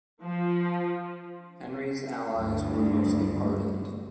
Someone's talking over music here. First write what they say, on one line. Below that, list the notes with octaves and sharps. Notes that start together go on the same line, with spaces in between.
Henry's allies were mostly pardoned.
F3
D2 G2